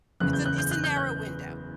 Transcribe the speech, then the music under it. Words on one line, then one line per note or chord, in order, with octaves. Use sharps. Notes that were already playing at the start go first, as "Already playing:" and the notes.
It's a it's a narrow window.
F#1 E2 C#3 F#6
G6
F#6
G6
F#6
G6
F#6